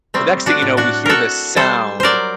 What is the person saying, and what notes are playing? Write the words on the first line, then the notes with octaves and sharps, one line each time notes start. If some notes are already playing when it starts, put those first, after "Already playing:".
the next thing you know, we hear this sound
G3 A3 C4
D4 F#4
A2
D4 F#4
A2 F#4 A4 A#4
G3 A4 C5
F#3 A#4 C5 D5